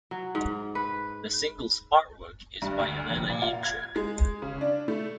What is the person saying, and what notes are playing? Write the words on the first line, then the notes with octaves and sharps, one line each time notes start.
The single's artwork is by Yelena Yemchuk.
F#3
G#2
B4
G2
D2
F1
A#2
F4
G#6
G#3
C#3
D4
A3